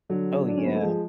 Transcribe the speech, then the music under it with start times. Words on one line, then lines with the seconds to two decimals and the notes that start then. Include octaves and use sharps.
Oh, yeah.
0.09 D3 F#3
0.48 D4
0.57 C#4
0.65 B3
0.74 A3
0.83 F3 G#3